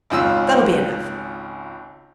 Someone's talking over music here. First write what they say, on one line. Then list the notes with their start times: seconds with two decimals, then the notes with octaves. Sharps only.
"That'll be enough."
0.10 G#1 C#2 F4 E6